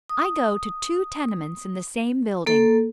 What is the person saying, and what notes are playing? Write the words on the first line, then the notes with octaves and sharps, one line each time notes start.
I go to two tenements in the same building.
D#6
A#3 A4